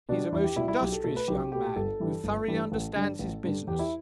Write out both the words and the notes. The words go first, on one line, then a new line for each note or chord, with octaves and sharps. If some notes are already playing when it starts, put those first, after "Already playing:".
'He is a most industrious young man, who thoroughly understands his business.
B2 G3 D4
E2 E4
G4
B2 G3 E4
E4
B1 G4
A4
B2 A3 A4
B4
B1 G4
B2 A3 G4
G1 A4
G2 E3 G3
G1
G2 E3 G3
A1
G2 D3 G3
A1
G2 D3 G3
E2 G4
E4